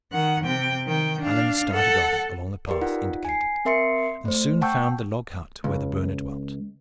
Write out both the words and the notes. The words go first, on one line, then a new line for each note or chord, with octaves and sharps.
Alleyne started off along the path indicated, and soon found the log-hut where the burner dwelt.
D#3 F#5
C3 G5
D#3 G5
D4 F5
A4 F#5
G4 A#4 B4 D5
D#4 F4 F#5
G#5 C7
C4 A#4 E5 C6 C7 C#7
A3 C5
F#5 G5 A5 C#6 E6 G6
C#2